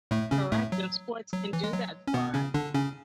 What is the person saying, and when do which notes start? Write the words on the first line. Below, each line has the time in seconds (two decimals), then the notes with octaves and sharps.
Correct, and sports can do that for us.
0.11 A2 A3
0.31 C#3 C#4
0.52 A2 A3
0.72 F#3
1.33 F#3
1.53 E3
1.63 G#3
1.73 F#3
2.07 C#4
2.14 B2 B3
2.34 C#3 C#4
2.54 D3 D4
2.74 C#3 C#4